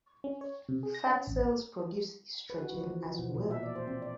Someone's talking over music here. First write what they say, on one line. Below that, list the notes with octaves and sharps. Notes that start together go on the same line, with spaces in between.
Fat cells produce estrogen as well.
C#4
C#5
C3
G#4
A#6
C#4
A1
B4
F#4
F3
E3
F3
B2
A#2
E5
D5
C5
C4
D5